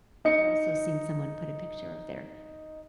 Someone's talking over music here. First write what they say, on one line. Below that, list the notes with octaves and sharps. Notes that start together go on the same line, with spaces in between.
I've also seen someone put a picture of their
D#4 C#7